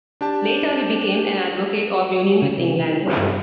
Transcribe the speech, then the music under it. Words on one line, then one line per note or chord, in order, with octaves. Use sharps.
Later he became an advocate of Union with England.
D4 G4 A5
C#3
C3
G2